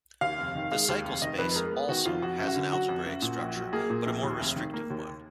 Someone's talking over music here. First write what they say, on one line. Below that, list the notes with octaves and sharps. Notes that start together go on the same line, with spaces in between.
The cycle space, also, has an algebraic structure, but a more restrictive one.
D#2 F5
F1
D#3
G#3 F5
D#2
F1
D#3 D#5
F2 B4
G#3 A#4
B3
D#3 F#4
F2 F4
F2 F#4
F#1
F#4
D3
F#3 F#4
F2
F#1
A#2
A#1
F#3
A#3 G#4
A#2
A#1
D#2
F1
D#3
A#3
D#2